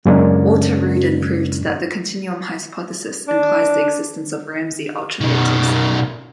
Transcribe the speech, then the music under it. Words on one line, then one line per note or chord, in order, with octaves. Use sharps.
Walter Rudin proved that the continuum hypothesis implies the existence of Ramsey ultrafilters.
F#2 C#3 G#3 A#3 C#4 D4
D4
B2 D#3